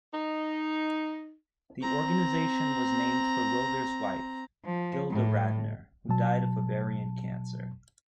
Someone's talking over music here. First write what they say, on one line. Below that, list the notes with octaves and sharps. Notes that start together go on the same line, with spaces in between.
The organization was named for Wilder's wife, Gilda Radner, who died of ovarian cancer.
D#4
C4 A#5
F3
A2
B2 F#3 A5